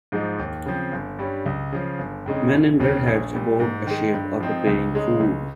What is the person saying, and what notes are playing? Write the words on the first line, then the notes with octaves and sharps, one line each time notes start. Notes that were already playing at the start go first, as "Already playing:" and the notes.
Men in red hats aboard a ship are preparing food.
G#2 F3 G#3 D#4
D#2
C#3 F3 C4
G1
G2 G3 C#4
C#2
C#3 F3
G1
F2 C#3 G#3 D#4
F1
D#2 C#3
A#1
A#2 G3
G#2
D#3 G#3
G2
F3 C4 D#4
C#2
C#3 G#3 D#4
C#2